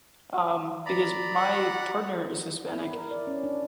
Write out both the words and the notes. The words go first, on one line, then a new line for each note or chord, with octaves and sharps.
um, because my partner is Hispanic,
D5 A#5 B5
F#5
E4
A#4
D5
C#4
D4